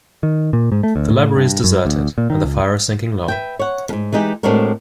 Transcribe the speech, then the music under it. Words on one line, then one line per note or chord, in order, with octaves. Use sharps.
The library is deserted, and the fire is sinking low.
D#3
A#2
G#2
A3
D2
A2
G2
F#2
D2
A#2
D#3
C#2
B4 E5 G5
C#5 F#5
F2 G#2
E3 G#3 D#4 G4
A2 G#3 C4 D4 F#4 A#4